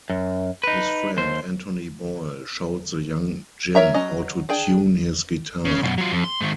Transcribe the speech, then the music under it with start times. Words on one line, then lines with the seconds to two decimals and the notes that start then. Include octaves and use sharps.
His friend Anthony Boyle showed the young Jim how to tune his guitar.
0.10 F#2
0.64 D#4 B4
1.17 D#2 C5
3.75 A#4 C#5 E5 A#5
3.94 F#3 C#4 D#5
4.49 D4 G#4 G5
5.65 C#3
5.83 F#2 B2
5.98 F#3 F4
6.12 F2
6.24 C6
6.41 G#2 D#3